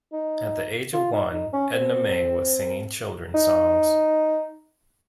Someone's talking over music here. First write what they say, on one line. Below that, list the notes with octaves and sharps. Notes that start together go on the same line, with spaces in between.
At the age of one, Edna Mae was singing children's songs.
D#4
F4
D#4
D#4
C#4
C4
D#4